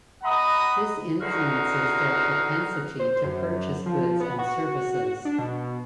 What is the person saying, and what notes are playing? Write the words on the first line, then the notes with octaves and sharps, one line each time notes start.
This influences their propensity to purchase goods and services.
D#5 F#5 A#5 B5 D#6
E2 D3 D#4 F#4 F5
C5
F#2
F3
B3
F#4
D4
B2